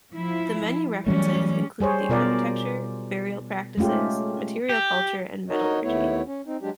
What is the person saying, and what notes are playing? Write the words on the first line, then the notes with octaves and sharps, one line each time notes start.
The many references include the architecture, burial practices, material culture and metallurgy.
F3 E4
E3 F#3 G3 A3 C#4
G3 G#4 C5 C#5
B2 F4 A#4 D5
G#3 A3 C#4 F4 G4
G4
D#4 F#4 A#4 C#5 D#5
D#2 A3 B3 E4 C#5
C#4
C4 D#4
F#3 G#3 D4 G4